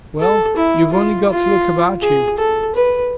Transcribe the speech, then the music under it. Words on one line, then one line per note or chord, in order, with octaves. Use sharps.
Well, you've only got to look about you.
A4
E4
F4
F4
G#4
A4
B4